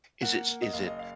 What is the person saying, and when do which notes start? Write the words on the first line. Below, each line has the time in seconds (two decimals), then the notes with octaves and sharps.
Is it s is it,
0.22 A#3 F#5
0.48 A#3
0.62 D#5
0.73 F#1 F5
0.87 D#5
0.99 F5